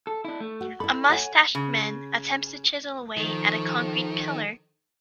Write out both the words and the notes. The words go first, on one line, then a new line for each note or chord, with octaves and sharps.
A mustached man attempts to chisel away at a concrete pillar.
A4
D4 E4
A3
F#4
E4 A4 B5
C#5 F#5 G#5
C#3
D#3 F3 A4